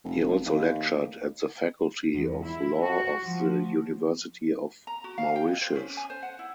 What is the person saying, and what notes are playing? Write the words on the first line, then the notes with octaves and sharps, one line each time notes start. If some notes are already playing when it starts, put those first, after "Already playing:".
He also lectured at the Faculty of Law of the University of Mauritius.
F1
D#2
E2
E4
F#4
F3
A#5
F#4
F5
G5
D#5
C5
C#4
G#5
C5
F#5
E4